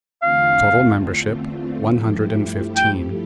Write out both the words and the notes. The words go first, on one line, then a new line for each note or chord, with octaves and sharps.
Total membership, one hundred and fifteen.
E2 D3 A3 C4 F4 F5
G2 F3 A3 E4 G4
G5